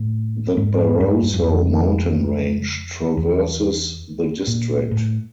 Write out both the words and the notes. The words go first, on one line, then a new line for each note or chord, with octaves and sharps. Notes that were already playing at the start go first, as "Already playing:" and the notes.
The Barroso mountain range traverses the district.
Already playing: A2
G#2
G2
G2
F#2
F2
E2
A#2
A2